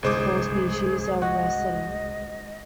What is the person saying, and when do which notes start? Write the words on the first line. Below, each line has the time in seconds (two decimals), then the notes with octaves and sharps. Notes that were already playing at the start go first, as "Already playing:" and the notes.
All species are resident.
0.03 G1 C2 G#3 G#4 C5 D6
1.22 F#4 D#5